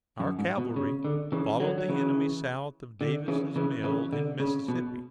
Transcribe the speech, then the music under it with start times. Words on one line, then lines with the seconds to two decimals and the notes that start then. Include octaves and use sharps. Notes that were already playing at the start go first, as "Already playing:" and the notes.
Our cavalry followed the enemy south of Davis' mills in Mississippi.
0.20 F#2
0.39 G#2
0.57 B2
0.76 C#3
1.05 D3
1.32 C#3 E3
1.60 D3 F#3
1.78 F#3
1.88 C#3 E3
3.01 D3
3.28 C#3 E3
3.56 C#3 E3
3.84 C#3 E3
4.13 D3
4.40 C#3
4.68 B2